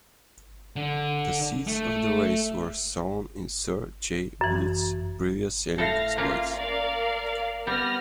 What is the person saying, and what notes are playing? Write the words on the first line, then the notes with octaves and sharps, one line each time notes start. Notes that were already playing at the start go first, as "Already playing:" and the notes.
The seeds of the race were sown in Sir Chay Blyth's previous sailing exploits.
D3
A3
F#2 E3
A2 A4 F5 A#6
A3 A#3 C#4 F4 F5
A#4 D5 F5
G3 B3 F6 A#6